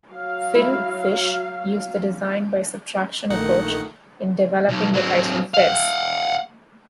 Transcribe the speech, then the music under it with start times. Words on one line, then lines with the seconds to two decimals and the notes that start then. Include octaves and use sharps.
Phil Fish used the design by subtraction approach in developing the title "Fez".
0.10 F#3 F5
0.55 E4
3.30 A#1 D#3 A3 D#4 F#5
4.69 B1
4.94 F#3 C4
5.54 F5 F#5